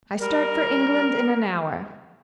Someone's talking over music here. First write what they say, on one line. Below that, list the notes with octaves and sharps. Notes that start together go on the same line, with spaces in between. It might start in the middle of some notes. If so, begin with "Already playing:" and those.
"I start for England in an hour."
G3 A#4